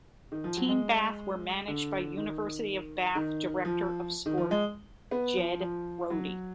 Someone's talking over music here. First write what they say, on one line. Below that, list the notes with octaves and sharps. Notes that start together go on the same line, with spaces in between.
Team Bath were managed by University of Bath director of sport Ged Roddy.
D#3
F3
F#3
G#3
D3
D#3
D#3
F3
D#3
F3
G#3
B3
F3
F3
F#3